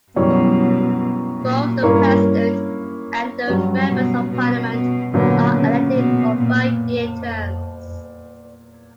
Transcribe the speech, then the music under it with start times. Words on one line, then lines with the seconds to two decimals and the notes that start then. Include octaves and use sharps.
Both the president and the members of Parliament are elected for five-year terms.
0.16 F#2 B2 E3 G3 C#4
1.42 A#2
1.82 G2 A#3 C#4 E4 A#4 C#5
3.47 G2 F#3 C#4
3.90 B2
4.30 B2
4.72 B2
5.13 A#2 D3 F#3 B3
5.54 C#3
5.96 B2
6.37 A#2